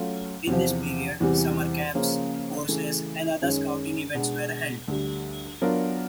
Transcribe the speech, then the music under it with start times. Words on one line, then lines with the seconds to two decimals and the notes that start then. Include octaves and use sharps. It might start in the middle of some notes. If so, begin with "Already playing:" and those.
In this period, summer camps, courses and other Scouting events were held.
Already playing: F#3 A3 C#4 F4
0.47 E2 C3 F3
1.20 E2 C3 E3 G3
1.94 C#3 F3 A#3 C#4 F4
2.68 C#3 E3 A3
3.42 F#2 D#3 G#3 C#4
4.15 B2 G#3 B3 D4
4.88 D2 D3 G3
5.62 F#3 B3 D4 F4 A#4